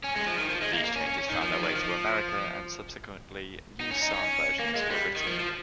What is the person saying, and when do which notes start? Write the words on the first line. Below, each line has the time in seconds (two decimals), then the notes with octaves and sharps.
These changes found their way to America and subsequently new psalm versions were written.
0.04 C#4
0.16 G#3
0.26 F3
0.38 D#3
0.50 F3
0.62 G#3
0.73 A#3
0.84 A#3
0.96 C#4
1.06 C#4
1.18 C#4
1.29 D#3
1.41 F3
1.53 F3
1.64 D#3
1.76 F3
3.81 D#4
3.91 C#4
4.03 D#4
4.14 C#4
4.59 A#3
4.76 G#3
4.90 G3
5.16 D#3
5.27 F3
5.40 F3